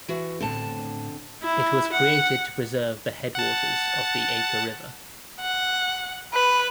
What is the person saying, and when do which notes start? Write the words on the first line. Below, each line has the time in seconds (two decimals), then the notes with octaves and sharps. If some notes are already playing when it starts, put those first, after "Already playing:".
It was created to preserve the headwaters of the Acre River.
0.08 E3 F#4
0.40 A2 D3 A3 B3 C4 A5
1.42 E4
1.92 F#5
3.35 F#5 A5
5.41 F#5
6.34 B4